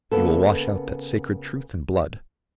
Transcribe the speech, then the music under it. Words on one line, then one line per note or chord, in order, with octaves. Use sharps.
He will wash out that sacred truth in blood.
C#3 A#3 B3 A4